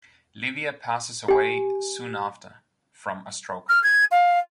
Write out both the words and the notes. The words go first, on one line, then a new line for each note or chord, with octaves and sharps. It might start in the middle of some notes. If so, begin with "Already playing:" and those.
Livia passes away soon after from a stroke.
G4 G#5
F6
G#6
F5